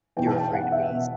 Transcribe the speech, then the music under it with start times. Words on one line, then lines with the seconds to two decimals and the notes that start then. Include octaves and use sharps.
You're afraid of bees.
0.17 E2 B2 G5
0.27 A5
0.36 G5
0.53 F#5
0.72 E5
0.90 B2